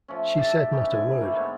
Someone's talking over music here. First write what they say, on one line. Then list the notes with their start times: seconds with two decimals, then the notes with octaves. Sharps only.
She said not a word.
0.08 F3 A3 C#4
0.38 D4 G4 E5 A5
0.72 E3 C#4 D#4 G4
0.92 G#2 D3 A4 G#5
1.21 G3 A3 A#3
1.35 G#2 G#3 B3 C#5